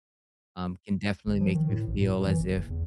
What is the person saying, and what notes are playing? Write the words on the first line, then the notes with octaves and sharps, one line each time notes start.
um, can definitely make you feel as if,
G1
F3
D#3
A2
A1
A2
F#2
E3
G1
F#1
E2